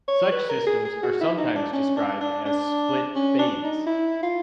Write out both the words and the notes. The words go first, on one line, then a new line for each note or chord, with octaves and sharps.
Such systems are sometimes described as split-phase.
C#5
B4
A#4
G#4
G#4
F#4
E4
D#4
D4
C#4
D4
D4
D4
C#4
D4
D#4
E4
F4